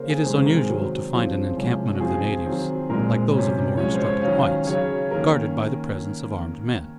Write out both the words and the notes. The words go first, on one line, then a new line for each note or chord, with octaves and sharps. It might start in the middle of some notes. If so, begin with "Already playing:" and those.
It is unusual to find an encampment of the natives, like those of the more instructed whites, guarded by the presence of armed men.
Already playing: C#3 A#3 A#4 C5
G#4
C3 D#3 G#3 C4
C5
A#4
G#4
D#3 F#3 C4 F#4
C#3 F3 C4
C3 F3 G#3 C#4
F#4
F3 C4 G#4
D#3 F#3 C4
A#2 G#3 C4 A#4
C3 F#3 C#4
F3 G#3 C#4 C#5
C5
C#5
D#3 F#3 C#4 F5
F5
C#3 F#3 C#4 C#5
D#3 A#3 C#4 A#4